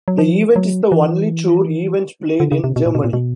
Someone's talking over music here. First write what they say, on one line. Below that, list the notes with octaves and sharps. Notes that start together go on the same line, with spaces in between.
The event is the only Tour event played in Germany.
F#3
F3
F#3
E3
D3
C#3
C3
B2
A#2
B2
A#2
B2